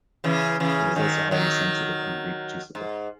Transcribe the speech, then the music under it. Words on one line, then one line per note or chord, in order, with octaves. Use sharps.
It is also highly sensitive and reproducible.
C#3 E3
C#3 E3
D#3 F#3
D#3 F#3
G#2